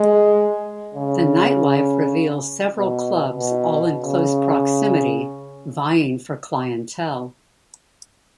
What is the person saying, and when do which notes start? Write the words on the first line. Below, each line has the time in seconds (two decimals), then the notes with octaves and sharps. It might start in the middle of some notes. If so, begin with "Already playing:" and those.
The night life reveals several clubs all in close proximity vying for clientele.
Already playing: G#3
0.94 C#3
2.77 B2
3.39 B2
4.00 C#3